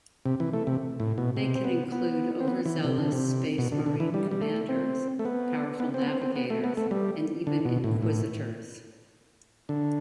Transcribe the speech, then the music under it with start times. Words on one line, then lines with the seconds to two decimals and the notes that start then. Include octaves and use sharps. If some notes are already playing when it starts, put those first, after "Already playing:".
They can include overzealous Space Marine Commanders, powerful navigators and even Inquisitors.
0.26 C3
0.40 E3
0.53 A3
0.67 C3
1.00 A2
1.18 B2
1.37 C3
1.56 C4
1.64 B3
1.92 B3
2.40 C4
2.48 B3
2.66 E3
2.84 C3
2.98 D3
3.12 C3
3.58 B2
3.72 D3
3.86 D3
4.00 E3
4.14 G3
4.31 G3
4.42 A3
4.69 C4
5.19 A3
5.25 B3
5.80 B3
5.94 C4
6.02 B3
6.08 C4
6.22 C4
6.36 B3
6.50 A3
6.64 B3
6.77 A3
6.91 G3
7.47 D3
7.65 B2
7.84 A2
8.03 A2
9.69 D3